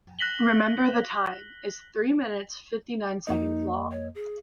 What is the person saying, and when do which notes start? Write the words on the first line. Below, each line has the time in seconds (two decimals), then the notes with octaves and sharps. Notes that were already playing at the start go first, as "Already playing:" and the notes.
"Remember the Time" is three minutes fifty nine seconds long.
0.19 F#6 A#6 B6 F#7 G7
3.27 F2 A#3 D#4 D#5
3.91 C#5
4.15 G#4